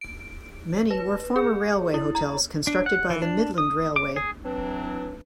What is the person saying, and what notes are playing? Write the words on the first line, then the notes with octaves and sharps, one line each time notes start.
Many were former railway hotels constructed by the Midland Railway.
D7
B4
G#4
E4
A#5
D4
F#5
E3
D4
D#6
D6
G#4
E3 F#3 C4 D4